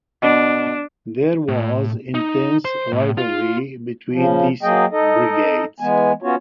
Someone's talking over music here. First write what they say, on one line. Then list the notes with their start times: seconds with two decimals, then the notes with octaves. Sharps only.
There was intense rivalry between these brigades.
0.22 B2 D4
1.48 A2
2.14 D#4
2.65 C5
2.93 A2
3.17 F4
4.12 C#3 F3
4.63 F#3 A#3 G#4 D#5 G5
4.92 D#4 A4 D#5
5.80 E3 G#3 B3 G#5
6.22 B3 C#4 F4 F#4 C#5